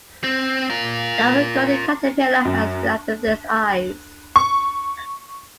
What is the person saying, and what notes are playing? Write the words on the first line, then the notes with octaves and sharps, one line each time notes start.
The Irvin Golden Caterpillar has amethyst eyes.
C4
F4 A#4
F#2
C#6